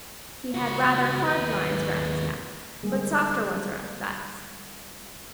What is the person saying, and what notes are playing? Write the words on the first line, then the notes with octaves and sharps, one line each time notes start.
He had rather hard lines around his mouth, but softer ones around his eyes.
C#2 F#4
D#2 B4
D3 G3 G#3 A#3 G#4